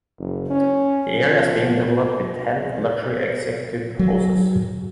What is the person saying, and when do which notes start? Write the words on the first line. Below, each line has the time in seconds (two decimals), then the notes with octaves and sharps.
The area is being developed with ten luxury executive houses.
0.18 F#1
0.50 C#4
1.19 F3
3.99 F#3